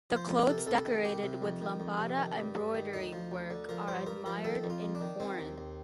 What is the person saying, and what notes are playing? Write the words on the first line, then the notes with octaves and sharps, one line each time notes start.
The clothes decorated with Lambada embroidery work are admired in foreign.
F3
C5
F2
A#4
C3 A4
A#4
C2 A4
D#3
C2 G4
C3
F2
D#3
F2
C3
D#3
G2
G2
D#3
D2 D#4
F3
D2
D3
F3 A#4
G2 C5
G2 A#4
F3 A#4
D#3 A4
F2
F4
F2
D4
D#3
D#3 C4
D#2
D#2